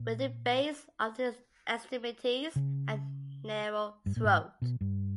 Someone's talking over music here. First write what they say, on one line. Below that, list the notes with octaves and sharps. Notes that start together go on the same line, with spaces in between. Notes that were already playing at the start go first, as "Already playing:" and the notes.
With the base of the extremities and narrow throat.
Already playing: A#2
C#3
G2
A#2
G#2
B2
G2